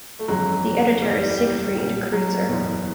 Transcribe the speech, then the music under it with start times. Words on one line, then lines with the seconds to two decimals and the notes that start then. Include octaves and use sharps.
The editor is Siegfried Kreuzer.
0.19 A3
0.28 G1 F2 C#3 E3 F#3 G#3
1.01 F#1 E2 B2 G3
1.20 G3
1.38 G3
1.76 B1 A#2
2.13 F#3
2.49 F#1 E2 B2